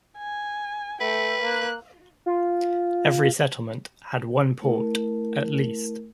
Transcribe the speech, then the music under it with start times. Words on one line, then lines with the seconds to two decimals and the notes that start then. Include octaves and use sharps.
Every settlement had one port, at least.
0.18 G#5
1.00 A3 B4 G5
1.42 A#3 F#6
2.26 F4
4.62 A3 E4 A#4